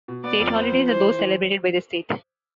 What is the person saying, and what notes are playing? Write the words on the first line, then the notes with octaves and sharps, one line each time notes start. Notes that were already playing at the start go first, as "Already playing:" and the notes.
State holidays are those celebrated by the state.
B2
B3 D5
F2
B3 C5
F3
E3 C5
E3
E3